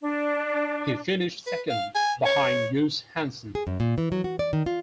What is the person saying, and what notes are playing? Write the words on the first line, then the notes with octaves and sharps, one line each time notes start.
He finished second behind Gus Hansen.
D4
B4
F5
G#5
C#5
G#4
F#2
A#2
E3
F#3
F#4
D5
D#3
F4